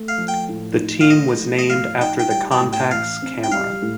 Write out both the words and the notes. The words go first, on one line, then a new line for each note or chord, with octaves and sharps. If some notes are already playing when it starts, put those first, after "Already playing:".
The team was named after the "Contax" camera.
Already playing: A3
F5
F3
G5
A2
D#4
F5
A3 D#5
F3
D#5
A2 F5
D#4 G5
G5
G3 G5
G5
A2
G5
A1 F5
C4
G5
G3 F5
A2